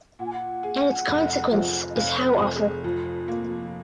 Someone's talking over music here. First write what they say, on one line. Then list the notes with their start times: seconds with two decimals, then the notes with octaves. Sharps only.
And its consequence is how awful.
0.19 A#2 F#5
0.26 G#5
0.33 F#5
0.63 G#4
1.07 F1
1.51 F3
1.89 D#5
1.96 F1 F5
2.18 C#5
2.25 C5
2.40 F1
2.55 G#4
2.84 F2 F4
3.28 A#3